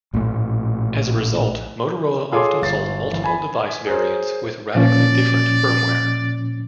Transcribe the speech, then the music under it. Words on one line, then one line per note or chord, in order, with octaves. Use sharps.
As a result, Motorola often sold multiple device variants with radically different firmware.
A#1 A2 D#3 A3
F4 G#4 A4 C#5 C6 D6
G1 A6 C7
G1 E3
G#5 B5
G#4 A#4 C5 C#5
A#2 F3 C#4 D5